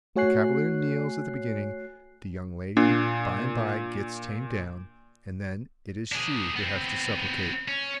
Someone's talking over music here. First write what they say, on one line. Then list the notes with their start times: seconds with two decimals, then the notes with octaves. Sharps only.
The cavalier kneels at the beginning, the young lady by and by gets tamed down, and then it is she who has to supplicate.
0.16 A3 F#4 C#5 G#5 F#6 C7
2.77 A#2 D4
6.12 D4 G#4
6.56 B3 C4
7.68 C#4